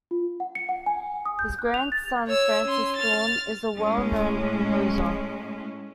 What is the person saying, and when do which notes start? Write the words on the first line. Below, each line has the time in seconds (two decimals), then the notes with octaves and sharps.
His grandson, Francis Thorne, is a well known composer.
0.11 F4
0.40 F#5
0.55 C#7
0.69 F#5
0.86 G#5
1.26 D#6
1.39 G6
1.59 F#6
1.74 F7
1.92 A6
2.27 C#5 E6
2.64 C#4 C6
2.97 F6 A6
3.75 A2 G#3 C#4